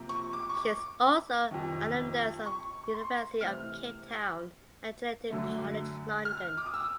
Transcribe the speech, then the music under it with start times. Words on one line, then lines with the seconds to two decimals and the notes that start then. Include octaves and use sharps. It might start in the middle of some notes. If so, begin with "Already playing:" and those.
She is also an alumnus of University of Cape Town and Trinity College London.
Already playing: C3 F3 A#3
0.09 C#6
0.33 D6
0.49 C#6
0.57 D6
1.51 F2 C3 D#3
2.46 C#6
2.84 C#6
2.94 C6
3.41 C3 E3 A3 C4 F6
5.30 F#2 D3 F#3 A3
6.25 F6
6.57 D6
6.66 D#6
6.74 E6